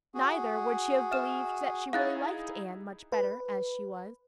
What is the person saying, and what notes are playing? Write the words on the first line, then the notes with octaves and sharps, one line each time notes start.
Neither would she have believed that she really liked Anne much better as she was.
F#4 G#4
E5 F6 E7
D#4 E4 G#4 F5 F#6 A6
B4